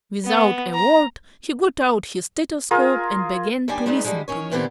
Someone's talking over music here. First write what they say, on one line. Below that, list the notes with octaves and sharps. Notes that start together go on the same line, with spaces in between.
Without a word he got out his stethoscope and began to listen to me.
B3
A#5
F4 G#4 A#4
D#2 G3 D4 G4 G#5
G3 G#3 B3 D4 D#4
D3 F3 G3 G#3
D#3 C#4 C#5
A#2 D3 B3 C4 E4 G4